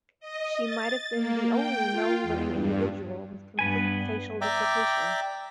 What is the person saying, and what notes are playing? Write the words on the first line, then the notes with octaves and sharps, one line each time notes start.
She might have been the only known living individual with complete facial duplication.
D#5
A6
A#3
G5
F4
E2
G2
G2 B3 B4 G#5
D5 E5 G5 A#5 D6